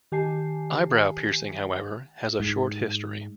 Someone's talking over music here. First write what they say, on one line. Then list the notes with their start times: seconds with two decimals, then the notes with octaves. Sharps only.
Eyebrow piercing, however, has a short history.
0.12 D#3 G4 G#5 A5 C7
2.40 G#2